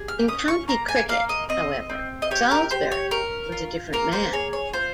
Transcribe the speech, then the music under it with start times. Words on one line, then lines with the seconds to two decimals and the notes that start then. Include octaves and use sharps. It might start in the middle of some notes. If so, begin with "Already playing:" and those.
In county cricket, however, Salisbury was a different man.
Already playing: G4 G#4
0.08 F6
0.28 C#4 D#6
0.48 C#6
0.68 A#3 A#5
0.88 G#5
1.09 A#3 F5
1.29 D#5
1.49 C4 D#5
1.90 C4
2.22 D#5
2.31 G4 C#5
2.51 A#4
2.71 G4 C5
2.92 C#5
3.11 C#4 A#4
3.52 F4
3.93 A#3 A#4
4.13 C5
4.33 G#4 C#5
4.53 C#5
4.73 F4 C5